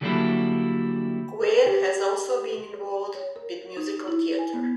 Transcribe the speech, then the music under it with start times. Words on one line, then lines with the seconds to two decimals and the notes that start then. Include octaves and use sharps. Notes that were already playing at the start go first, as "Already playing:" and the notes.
Guare has also been involved with musical theatre.
0.01 D3 F#3 G3 A#3 D4 E4
1.66 G4
3.15 C#5
3.36 A#4
3.77 D#4
4.08 E4
4.39 G#5
4.54 B3